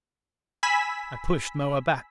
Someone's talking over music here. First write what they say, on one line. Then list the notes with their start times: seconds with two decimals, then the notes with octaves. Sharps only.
I pushed Moa back.
0.63 G#5 B5 E6 B6